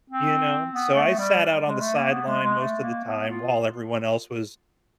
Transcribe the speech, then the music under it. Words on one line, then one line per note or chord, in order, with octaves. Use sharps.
You know? So, I sat out on the sideline most of the time while everyone else was
C4
B3
A3
G3
G#3
A3
A#3
B3
G#3
G#3
A3
A#3
B3
F4